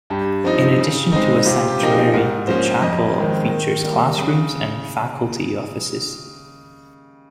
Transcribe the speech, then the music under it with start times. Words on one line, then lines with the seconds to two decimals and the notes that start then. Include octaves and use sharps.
In addition to a sanctuary, the chapel features classrooms and faculty offices.
0.10 G2 G4
0.44 F3 C4 D#4
0.78 C#3
1.12 G#3 C4 D#4
1.46 C3 F4
1.68 G4
1.80 F3 A#3 D#4 G4
1.91 G#4
2.13 G#2 A#4
2.47 F3 A#3 C#4 C5
2.82 F2 D#5
3.16 D#3 G#3 C4
3.49 D#3
3.83 G3 A#3
4.18 C#3